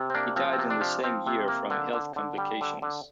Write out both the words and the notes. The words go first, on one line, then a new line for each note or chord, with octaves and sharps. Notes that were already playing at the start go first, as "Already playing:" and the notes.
He died in the same year from health complications.
Already playing: C3
C4
A#3 D4
F3 C4
C4
C3
D4
F3
F3 C4
C3
A#3
D3
D3
D3
G3
D3
D3